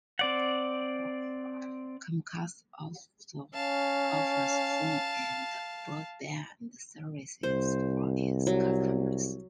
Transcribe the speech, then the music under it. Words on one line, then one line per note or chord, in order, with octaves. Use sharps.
Comcast also offers phone and broadband services for its customers.
C4 D5 F#5
C#4 F5 A5
C2 C5
F#3